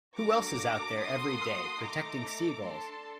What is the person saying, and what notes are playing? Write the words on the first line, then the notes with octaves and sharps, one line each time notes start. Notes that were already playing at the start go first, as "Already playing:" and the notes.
Who else is out there every day, protecting seagulls?
A#3 D4 F#4 A4 A#5 D6
A#3 F#4 A4 C6 D#6
A3 D#4 A4 A#5 D6
D4 A4 A5 C6